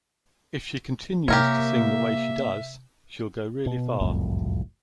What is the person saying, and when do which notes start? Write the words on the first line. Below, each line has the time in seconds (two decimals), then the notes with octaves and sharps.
If she continues to sing the way she does, she'll go really far.
1.28 C3 A#3 G4 A#4 C#5 E5
3.66 B2
4.01 F#1 C2 F2 A2